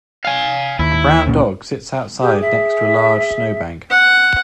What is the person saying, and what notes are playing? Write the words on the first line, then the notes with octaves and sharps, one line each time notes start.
A brown dog sits outside next to a large snowbank.
F5 G#5
D#2 E4
C#2 A#2 C#3
G4 G#4
E5
F#5